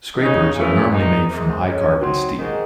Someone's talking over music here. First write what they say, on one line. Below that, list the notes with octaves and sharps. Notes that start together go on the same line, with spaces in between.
Scrapers are normally made from high carbon steel.
E2 C#3 G#3 D#4
F#2 C#3 E3 A3 C#4
E2 D#3 G#3 D#4
C3 D#3 G#3 D#4
A2 G#3 C#4
F#3 C4 D#4
G#2 D#3 G#3